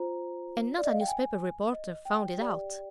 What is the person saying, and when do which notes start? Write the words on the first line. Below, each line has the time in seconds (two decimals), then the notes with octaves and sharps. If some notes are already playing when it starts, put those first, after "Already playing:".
And not a newspaper reporter found it out!
Already playing: F4 C5 A#5
0.78 D5
0.85 D#5
0.92 F5
1.01 G5
1.08 G#5
1.73 D#5
2.05 G5
2.38 G4 D5